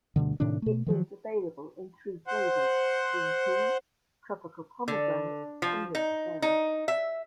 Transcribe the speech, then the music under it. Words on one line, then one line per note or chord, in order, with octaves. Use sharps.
It is available in three flavors: Green Tea, Tropical Pomegranate, and Mixed Berry.
D2 G2 B2 D3
A2 C3 D#3 D4
B2 A3
D#3 F3 F#3
C5 F#5
D3
F3
D#4
D#4
E5